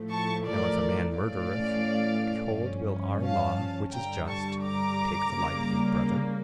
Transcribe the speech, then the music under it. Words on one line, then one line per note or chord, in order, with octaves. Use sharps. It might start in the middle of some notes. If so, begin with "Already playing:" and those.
Now, if a man murdereth, behold will our law, which is just, take the life of his brother?
Already playing: A2 F3 A3
A5 C#6
A#4 D5
A2 E3 A3 C#4 D5 F5
G2 F3 C#4
F5 A5
G2 D3 G3 G5 A#5
A5 C#6
A#5 D6
C#3 G3 A#3